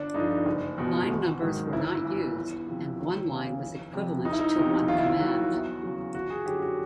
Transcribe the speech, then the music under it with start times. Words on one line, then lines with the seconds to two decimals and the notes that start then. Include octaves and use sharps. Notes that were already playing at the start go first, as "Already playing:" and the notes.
Line numbers were not used and one line was equivalent to one command.
Already playing: G1 D4
0.14 G2 D3 F3 D#4
0.46 F#1
0.78 E2 B2
1.10 G#1
1.41 G#2 D#3 F#3
1.73 G1 E4
2.04 G2 E3
2.36 E2
2.67 C3 F3
2.99 D#2
3.31 C#3 E3
3.62 F1
3.93 F2 C3
4.25 F1 D#4
4.33 E4
4.40 D#4
4.56 E2 C3 F3 E4
4.88 D#2 F4
4.98 E4
5.09 F4
5.20 D#3 F#3 F#4
5.51 E2
5.83 C#3 F#3
6.14 G1 F#4
6.30 G#4
6.46 F#2 D3 F#3 G4
6.62 F#4